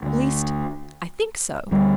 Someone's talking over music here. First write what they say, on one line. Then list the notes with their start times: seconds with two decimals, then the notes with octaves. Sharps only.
'At least, I think so.
0.03 D2 D3
1.71 D2 D3 G3